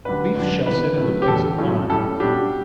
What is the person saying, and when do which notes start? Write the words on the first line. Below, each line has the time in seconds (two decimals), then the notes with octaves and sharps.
"Leif shall sit in the place of honor."
0.05 D2 D3 G3 D4 B4
0.35 F#2 D3 G3 D4
0.66 C#3 E3 G3 B3 B4
0.97 A2 F#3 A3
1.22 G4
1.28 E2 B2 G3 A4
1.58 A2 F#3 C#4
1.89 A2 G3 C#4 A4
2.20 B2 G3 D4 G4